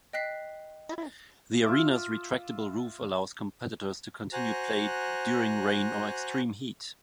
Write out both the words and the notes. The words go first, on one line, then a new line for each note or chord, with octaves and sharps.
The arena's retractable roof allows competitors to continue play during rain or extreme heat.
D#5 G5 F#6 B6 C7
F4 E5 D6
F#4 C5 G#5 A#5 F#6